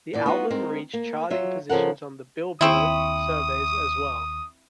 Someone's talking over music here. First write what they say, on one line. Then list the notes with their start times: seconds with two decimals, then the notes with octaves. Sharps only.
The album reached charting positions on the "Billboard" surveys as well.
0.13 E2 A#2 D5
0.26 B3 D#4 F4 F#4
0.50 G#3 C4 D#4 A#4
0.93 A#3
1.30 F#3 F4 E5
1.69 C#3 F3 A4 A#4 F#5
2.61 D#2 C4 E4 C#6 D#6